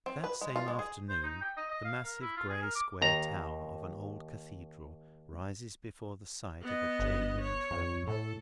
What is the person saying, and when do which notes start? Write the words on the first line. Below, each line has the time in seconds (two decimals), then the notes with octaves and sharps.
That same afternoon, the massive gray square tower of an old Cathedral rises before the sight of a jaded traveller.
0.06 C4
0.24 B4
0.41 G#3
0.56 F4
0.68 G#3
0.79 G#4
1.09 C5
1.23 D#4
1.42 G5
1.57 D#5
1.71 D#5
1.84 F5
2.04 A#4
2.21 E4
2.37 F4
2.49 G#4
2.62 A#4
2.75 D6
3.02 D#2 A#5
6.62 B3 D#5
6.99 G1
7.41 C#5
7.71 F2
8.07 A2 A4